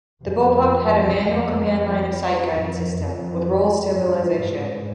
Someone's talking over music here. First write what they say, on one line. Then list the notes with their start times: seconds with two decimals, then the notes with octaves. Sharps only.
The Bullpup had a Manual Command Line Of Sight guidance system with roll-stabilization.
0.23 F2
1.15 F2
2.54 F2
2.99 F2
3.92 G2
4.38 G#2